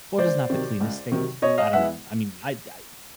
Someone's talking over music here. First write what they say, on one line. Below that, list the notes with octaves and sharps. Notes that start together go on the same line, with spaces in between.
Florida is not the cleanest state. I don't know. I mean, I I
C#2 C5 D5
C3 D#3 F#3
C#2
C3 D#3 F#3
B2 C#5 D#5
D#5 F5
G#3 B3 E4 E5 F#5